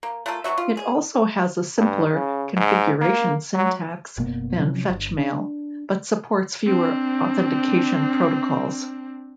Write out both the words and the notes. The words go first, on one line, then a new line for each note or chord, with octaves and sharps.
It also has a simpler configuration syntax than fetchmail, but supports fewer authentication protocols.
A#3
A3 A#3 F4 A4
E3 F#3 F#4 E5
F4
G#4
G2
C#3
G#2
A#3
F#3
F#1 B2 A#3 B3
C3 F3 F#3 C#4
G1
D4
C4 D4